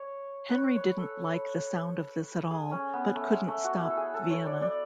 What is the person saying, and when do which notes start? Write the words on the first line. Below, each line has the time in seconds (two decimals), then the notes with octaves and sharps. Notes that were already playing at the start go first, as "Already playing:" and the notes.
Henry didn't like the sound of this at all, but couldn't stop Vienna.
Already playing: C#5
0.49 B4 C#5
0.76 C#5
0.98 A4
2.51 G#4
2.71 C#4
2.93 B3
3.15 A3
3.31 G#3
3.48 A3
3.64 F#4
3.81 E4
3.90 A4
3.97 G#4
4.14 A4
4.30 C#5
4.46 D5
4.62 D5